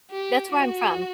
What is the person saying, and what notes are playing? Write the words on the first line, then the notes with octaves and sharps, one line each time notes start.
That's where I'm from.
G4
F#4